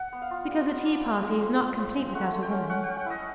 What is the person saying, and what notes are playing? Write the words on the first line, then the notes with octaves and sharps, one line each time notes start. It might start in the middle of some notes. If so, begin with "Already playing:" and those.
"Because a tea-party is not complete without a woman."
Already playing: F#5
B3
F5
F4
G3
B3
D4
C4
G#3
C4
C4
C4
G#3
A3 F#5
A3
G5
C#4
C#4 F#5
C#4 G5
F#5
E4 D#5